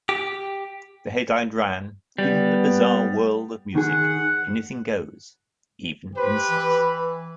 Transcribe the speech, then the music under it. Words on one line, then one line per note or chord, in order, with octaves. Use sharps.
The headline ran, In the bizarre world of music... anything goes - even incest.
G4
G3 B3
D#3 G#4 F#5
G4 B4 C5
E3